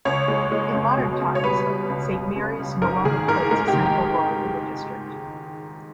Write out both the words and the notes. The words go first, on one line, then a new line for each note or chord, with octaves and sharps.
In modern times Saint Mary's no longer plays a central role in the district.
C#2 C#5
G#3
G#3
C#2
B2
C#2
C#5
G3 B4
G3
C#2
C#2
C#3
C#2
G#2 A#4
D#3 G#4
G#2 A#4
G#3 A#4
G4
D#3
G4